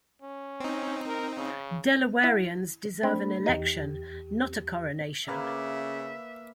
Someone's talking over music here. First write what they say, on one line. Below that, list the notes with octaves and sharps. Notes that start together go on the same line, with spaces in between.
Delawareans deserve an election, not a coronation.
C#4
C4 D#4
A#4
C#3
E4 F#5
A3 C4 D4 B5
E2 D#4 G4 D#5
C#3 A#3 B4 E5 F5